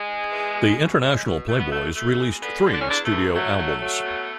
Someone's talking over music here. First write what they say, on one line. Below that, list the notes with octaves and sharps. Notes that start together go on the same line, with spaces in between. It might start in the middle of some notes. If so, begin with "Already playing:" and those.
The International Playboys released three studio albums.
Already playing: G#3
G#2
E3
B2
B2
G#3
B2
B2 A3
B3
B2 A3
B2 A3
G#3
D3 B3
D3
D4
C#4
E2 D4
A3
E2
F#3 A3
F#3
F#3
B2